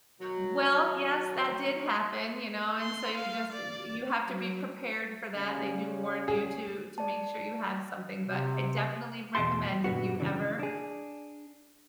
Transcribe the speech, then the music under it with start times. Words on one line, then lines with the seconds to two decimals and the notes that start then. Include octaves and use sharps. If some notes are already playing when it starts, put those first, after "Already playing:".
Well, yes, that did happen, you know, and so you just uh, you have to be prepared for that, they do warn you to to make sure you have something, but I definitely recommend if you ever
0.20 B2 D#3 F#3
2.80 C6
3.18 F5
3.53 D5
4.25 F#3
5.36 C#3 G3 C#4
6.28 G#4
6.98 D5 A5
8.25 C3
9.35 E2 B2 C4 G#4 A5 C6
9.84 F#2 A#2 D3 B3 F#4
10.20 C#3 E3 D4
10.59 D4 G#4